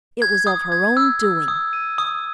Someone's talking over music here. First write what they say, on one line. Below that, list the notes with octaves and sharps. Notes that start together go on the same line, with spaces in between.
It was of her own doing.
G#6
D#6
G#6
E6
D#6
D#6
D#7
D#6